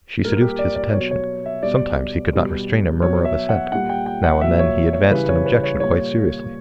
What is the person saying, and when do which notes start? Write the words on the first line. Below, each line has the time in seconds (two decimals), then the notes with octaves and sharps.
She seduced his attention; sometimes he could not restrain a murmur of assent; now and then he advanced an objection quite seriously.
0.24 A#2 G3 A#4
0.41 G4
0.59 D5
0.76 D5
0.93 B2 F#3 C#5
1.11 C#5
1.46 E5
1.63 B2 G3 D5
2.33 B2 G3
3.02 B2 F#3 C#5
3.25 E5
3.49 F#5
3.72 A#2 G3 F#5
3.89 G5
4.06 G5
4.24 F#5
4.41 A#2 F#3 E5
4.59 C#5
4.93 C#5
5.11 C#3 E3 G3 B4
5.29 C#5
5.46 B4
5.64 C#5
5.80 A#2 G3 C#5